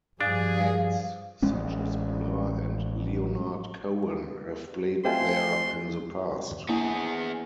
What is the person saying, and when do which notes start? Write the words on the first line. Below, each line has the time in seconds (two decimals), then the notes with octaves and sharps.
Acts such as Blur and Leonard Cohen have played there in the past.
0.21 G2 F3 D4 G#4 F5
1.42 A1 G#3 C#4
5.05 A3 C4 F4 G4 G5 G#5 C6
6.69 A#3 B3 D4 E4 G#4